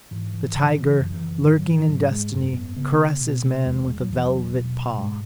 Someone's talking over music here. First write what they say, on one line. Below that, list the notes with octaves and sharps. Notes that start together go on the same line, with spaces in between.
The tiger, lurking in destiny, caresses man with a velvet paw.
G#2 E3
E3
C#3 E3
E3
F#2
E3
G#2 D#3
F#3
E3
G#2 F#3
G#3
F#2 A3
B3
C#3 B3
B3
B2
B3
A3
E2 G#3
G#3
F#3
E2 E3
F#3
B2
G#2 G#3